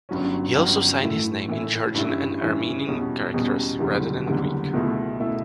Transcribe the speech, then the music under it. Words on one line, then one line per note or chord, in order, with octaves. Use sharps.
He also signed his name in Georgian and Armenian characters rather than Greek.
G1 G2 F#3 C#4
G1 G2 F#3 C#4
A2 E3 A3 E4
A2 E3 A3 E4
G2 E3 G3 C#4 E4
G2 E3 G3 C#4 E4
E2 B2 G3 C#4
E2 B2 G3 C#4
F#1 E2 D3 G3
F#1 E2 D3 G3
C#2 B2 A3 E4
B2 A3 E4